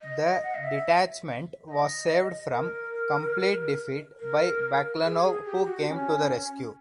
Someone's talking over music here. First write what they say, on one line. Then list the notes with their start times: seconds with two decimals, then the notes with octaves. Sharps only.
The detachment was saved from complete defeat by Baklanov who came to the rescue.
0.02 D#5
0.23 D#5
0.43 F#5
0.55 D#5
0.64 E5
1.69 D#5
2.52 A#4
4.20 A#4
5.04 G#4
5.24 G#4
5.45 G4
5.66 F#4
5.88 C#4